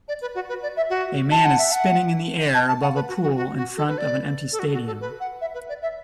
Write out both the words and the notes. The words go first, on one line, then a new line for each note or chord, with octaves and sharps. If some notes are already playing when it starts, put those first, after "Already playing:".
A man is spinning in the air above a pool in front of an empty stadium.
D5
B4
F#4
B4
D5
E5
F#4
A5
F#5
E5
F#5
A5
A5
F#5
B4
F#4
F#4
F#4
F#4
A4
B4
D5
A4
F#4
F#4
A4
B4
F#5
E5
B4
D5
E5